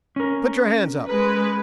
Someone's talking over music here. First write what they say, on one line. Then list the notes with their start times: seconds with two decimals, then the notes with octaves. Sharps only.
"Put your hands up!"
0.16 C#4 A#4
1.07 G#3 B4